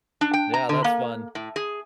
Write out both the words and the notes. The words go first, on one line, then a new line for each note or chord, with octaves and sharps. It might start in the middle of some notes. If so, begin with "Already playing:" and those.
Yeah, that's fun.
D4
G5
A#5
D3
A#3
A2
G#4